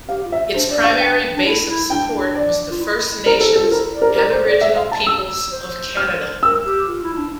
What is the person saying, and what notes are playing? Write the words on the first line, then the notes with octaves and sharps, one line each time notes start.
Its primary base of support was the First Nations aboriginal peoples of Canada.
G4 F5
F4
E5
D4 C5
D5
D4
F5
G5
D4
E4
E4
D4 G5
D5
F4
E4
A#4
A4
A4
F4
E4 A#4
D5
A#4
A#4
C5
D5
E5
F5
A5
E6
C5
F6
A#4 E6
G4
F4
E4
E4
D4